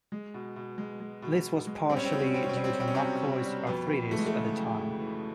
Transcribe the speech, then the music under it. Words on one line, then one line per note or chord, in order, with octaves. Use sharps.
This was partially due to McCoy's arthritis at the time.
G#3
B2
B2
G#3
G#3
B2
B2
G#3
G3 C4
C#4
C4
B2 C#4
C4
C#4
B2 C4
C#4
C4
G3 C#4
C4
C#4
G3 C4
C#4
C3 C4
B2
B2
G3
F2 B2 B3
F2
E3 A3
G#3
A3
C#3
F2
F2
E3